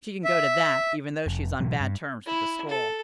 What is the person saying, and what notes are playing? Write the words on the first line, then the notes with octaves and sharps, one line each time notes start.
"She can go to that, even though she is on bad terms with the school."
E5
F1
B2 E3 F#3
G2
E4
A4